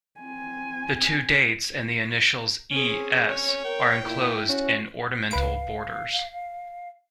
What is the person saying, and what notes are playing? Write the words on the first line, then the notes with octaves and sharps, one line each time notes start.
The two dates and the initials E. S. are enclosed in ornamental borders.
C4 G#5
C4 C#4 G#4
C#5
A#4 G5
A#2 E4
C#4 F#4
C#2 B4 F5 D7